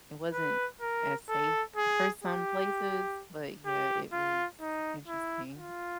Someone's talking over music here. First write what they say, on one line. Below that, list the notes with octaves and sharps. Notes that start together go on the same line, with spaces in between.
it wasn't as safe for some places, but yeah, it was interesting.
B4
A#4
A4
G#4
G4
G4
F4
D#4
E4
F4